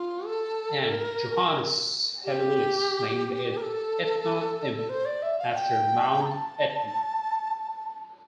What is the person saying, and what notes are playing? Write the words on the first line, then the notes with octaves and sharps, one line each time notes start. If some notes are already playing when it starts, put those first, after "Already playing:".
And Johannes Hevelius named it 'Etna M.' after Mount Etna.
Already playing: F4
A4
A#4
G4
A#4
A4
C5
D5
E5
F5
G5
A#5
A5